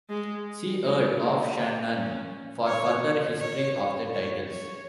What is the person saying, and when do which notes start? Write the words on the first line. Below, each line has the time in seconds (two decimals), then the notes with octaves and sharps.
See Earl of Shannon for further history of the titles.
0.09 G#3
0.84 G#3
1.20 A#3
1.57 A#3
1.93 C#4
2.67 C#5
3.40 C#5
4.13 C#5
4.51 C#5